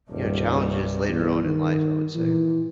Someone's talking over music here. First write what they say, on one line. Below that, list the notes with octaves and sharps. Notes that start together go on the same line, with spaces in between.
you know, challenges later on in life, I would say.
D#1 C2 G2
E2
D#3
A#2 E3